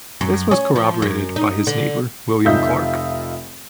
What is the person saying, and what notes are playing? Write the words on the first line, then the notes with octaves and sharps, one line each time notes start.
This was corroborated by his neighbour, William Clarke.
F#2
C#4
F3
F#2
D#4
D3
F1 D#4 F4 E5 G6